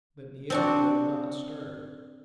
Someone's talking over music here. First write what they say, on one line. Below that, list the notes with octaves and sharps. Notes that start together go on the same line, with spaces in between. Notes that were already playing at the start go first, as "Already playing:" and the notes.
But Neeoka would not stir.
C4 D4 F#4